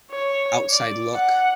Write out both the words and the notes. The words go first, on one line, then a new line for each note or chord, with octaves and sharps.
outside look,
C#5
D5
F#5